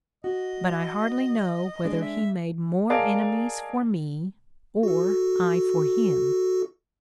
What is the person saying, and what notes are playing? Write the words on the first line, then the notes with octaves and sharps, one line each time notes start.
But I hardly know whether he made more enemies for me or I for him.
F#4 D#5
G#3 D4
E5
G#4 A#4 D5 D#5 F5 A5
F#4 A4